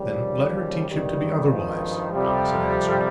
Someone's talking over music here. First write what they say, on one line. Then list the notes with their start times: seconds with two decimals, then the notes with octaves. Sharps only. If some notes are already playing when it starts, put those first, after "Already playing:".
"Then let her teach him to be otherwise," Alice had answered.
Already playing: D#2 C#3 F3 G3
0.87 G#1 G2 D#3 G3
1.49 F3
2.11 F2 C3 F3 G3